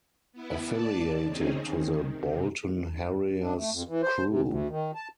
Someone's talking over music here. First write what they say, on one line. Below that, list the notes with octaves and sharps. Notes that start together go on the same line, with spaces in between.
Affiliated to the Bolton Harriers crew.
B3 E4
D5 A5
D#2
C4 C#4 D#4 G#4
D#3
C3
D4
A3
F2
E3
C5
C3
D2
D#3
A5